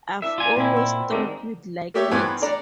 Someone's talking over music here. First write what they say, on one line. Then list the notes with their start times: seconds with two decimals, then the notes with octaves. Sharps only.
I've always thought you'd like it.
0.22 D4 E4 B4 E5
0.38 F4 G#5
0.56 A#2 C4 D#4 E4 B4
0.74 F#5 E6
1.11 D#2 G#3 A#3 C4 D4
1.94 A3 A#3 G4 C#5 E5
2.11 G2 E3 B3 C5 G#5 D6
2.42 D4 A4 D5 A#5